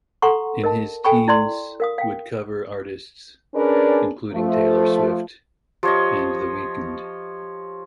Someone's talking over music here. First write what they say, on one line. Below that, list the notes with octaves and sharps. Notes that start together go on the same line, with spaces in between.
In his teens would cover artists including Taylor Swift and the Weeknd.
A4 F#5 A#5 C6 C#6
A#4 D#5 A5
A4 G5 G#5 B5 C#6
E4 D5 C6
A#4 F5 D#6
F5 G5
C#4 D4 G#4 A#4 B4 D5
F3 A3
F3 G4 C#5 D#5